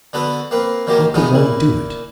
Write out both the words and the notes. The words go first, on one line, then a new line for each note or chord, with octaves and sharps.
How could one do it?
D3 B3 F#4 A4 B4
A#3 C4 B4
D#3 F#3 A#3 G4
A2 C#3 E3 B3 C#4 D#4
A#2 E4